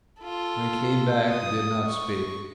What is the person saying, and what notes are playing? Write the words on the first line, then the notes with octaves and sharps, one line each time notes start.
When he came back, he did not speak.
F4 A4
D#6
C#6